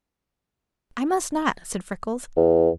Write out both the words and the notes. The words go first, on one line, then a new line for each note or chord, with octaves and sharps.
"I must not," said Freckles.
E2